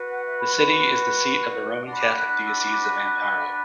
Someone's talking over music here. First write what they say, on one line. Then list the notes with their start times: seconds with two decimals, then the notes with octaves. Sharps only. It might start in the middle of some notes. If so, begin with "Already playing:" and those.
The city is the seat of the Roman Catholic Diocese of Amparo.
Already playing: F#4 B4
0.09 F#5
0.25 E5
0.39 B5
0.54 B5
1.84 D4 F#4 B4 C6
1.98 D6
2.13 F#6
2.28 F#6
2.42 E6
2.56 D6
2.71 D6
2.85 F#6